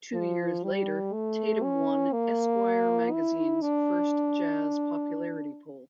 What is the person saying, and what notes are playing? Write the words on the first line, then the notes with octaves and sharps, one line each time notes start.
Two years later Tatum won "Esquire" magazine's first jazz popularity poll.
F3
G3
A3
C#4
A#3
E4
D4